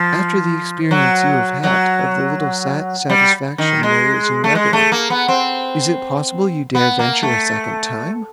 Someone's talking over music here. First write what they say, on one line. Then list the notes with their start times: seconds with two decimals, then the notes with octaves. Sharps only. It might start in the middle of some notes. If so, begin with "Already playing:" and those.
After the experience you have had of the little satisfaction there is in wedlock, is it possible you dare venture a second time?
Already playing: F3
0.91 F#3
1.63 F#3
3.10 G3
3.58 D#3
3.83 G#3
4.44 A3
4.55 G#3
4.73 A3
4.92 A#3
5.10 B3
5.28 C4
6.75 B3
6.99 A#3
7.23 A3